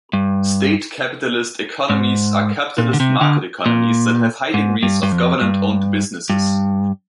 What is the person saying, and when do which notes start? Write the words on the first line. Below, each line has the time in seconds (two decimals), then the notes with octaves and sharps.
State capitalist economies are capitalist market economies that have high degrees of government-owned businesses.
0.13 G2
1.90 G#2
2.78 A#2
2.93 D3
3.00 C3
3.21 D3
3.66 A#2
4.54 G#2
4.83 G2
5.03 G2
5.12 F2
5.41 G2
6.30 G2